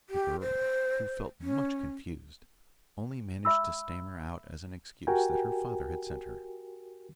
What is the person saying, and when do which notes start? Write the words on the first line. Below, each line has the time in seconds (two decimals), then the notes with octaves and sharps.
The girl, who felt much confused, only managed to stammer out as an excuse that her father had sent her.
0.10 G4
0.41 C5
1.42 C#4
3.45 E5 B5 E6
5.07 F#4 G4 A#4 G5 G#5